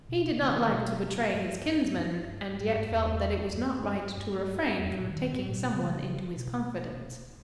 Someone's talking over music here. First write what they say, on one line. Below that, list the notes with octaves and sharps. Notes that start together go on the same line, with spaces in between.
He did not like to betray his kinsman, and yet felt that it was not right to refrain from taking someone into his confidence.
B2
C#3
E3
D#3
B2
G2
G2
G#2
G2
E2
G2
G2
E2
G2
A#2
D#3
G#2
A#2
B2
C#3
B2